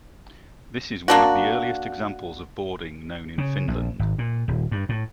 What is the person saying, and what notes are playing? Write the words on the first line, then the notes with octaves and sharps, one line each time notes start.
This is one of the earliest examples of boarding known in Finland.
A#3 D4 F#4
C#3
A#1
G#1
A#2
D#1
G2
A2